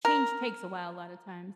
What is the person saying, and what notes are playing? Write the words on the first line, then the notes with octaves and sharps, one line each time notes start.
change takes a while, a lot of times.
A#4